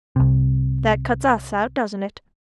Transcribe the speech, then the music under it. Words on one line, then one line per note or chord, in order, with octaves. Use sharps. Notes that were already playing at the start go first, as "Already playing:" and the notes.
"That cuts us out, doesn't it?"
C2 C3